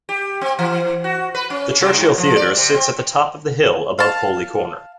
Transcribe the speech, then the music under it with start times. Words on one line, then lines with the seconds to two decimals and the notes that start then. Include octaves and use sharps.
The Church Hill Theatre sits at the top of the hill above Holy Corner.
0.09 G4
0.41 C4
0.59 E3
1.04 F#4
1.35 B4
1.50 C#4
1.81 C3
1.97 G#2
2.18 F3
2.36 D5
2.57 C3
2.74 C4
3.99 F5 A5